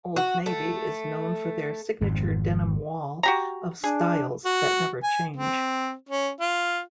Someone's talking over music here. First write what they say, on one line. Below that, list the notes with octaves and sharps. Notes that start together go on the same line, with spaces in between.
Old Navy is known for their signature denim wall of styles that never change.
F#4
A3
G#1 F2 G#2
F#4 G4 A#5
D4 G#4
F#4
G#5
C4
C#4
F4